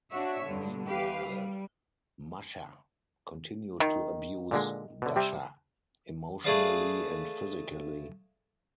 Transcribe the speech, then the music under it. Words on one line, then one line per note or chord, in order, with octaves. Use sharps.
Meanwhile, Masha continued to abuse Dasha emotionally and physically.
D4 F#4 C#5 E5
G2 D3
G4 B4 F5
G3
D#3
A#2 D3 G#3
B2 D3
C3 G3 C4
A3 G#4 B4 D5 F5